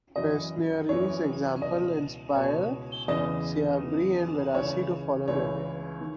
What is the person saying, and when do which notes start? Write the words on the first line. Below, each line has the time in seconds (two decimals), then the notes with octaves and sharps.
Pesniary's example inspired Siabry and Verasy to follow their way.
0.16 F#2 E3 D#5
0.89 F#2 E3 C#5
1.62 C#2 B2 D#5
2.35 C#2 B2 C#5
3.08 E2 C#3 E3 D#5
3.81 E2 C#3 E3
4.54 C#2 C#3 E3 C#5
5.28 C#2 C#3 E3 C#5
6.01 D#3